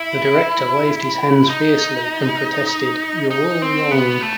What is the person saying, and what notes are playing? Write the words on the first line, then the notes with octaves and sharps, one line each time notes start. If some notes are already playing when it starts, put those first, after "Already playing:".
The director waved his hands fiercely and protested You're all wrong!
Already playing: E4
D#4
D#4
C4
B3
A3